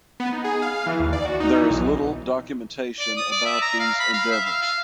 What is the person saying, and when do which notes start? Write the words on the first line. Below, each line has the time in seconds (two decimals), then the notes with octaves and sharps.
There is little documentation about these endeavors.
0.20 B3
0.32 D#4
0.44 G#4
0.62 F5
0.86 E3
0.99 D#2
1.13 D5
1.25 F#4
1.40 D#4
1.57 E3
1.70 B1
3.00 D5
3.17 D#6
3.32 D5
3.45 E5
3.62 A#5
3.80 F5
4.00 B5
4.13 F5
4.32 E5
4.46 F5
4.62 F5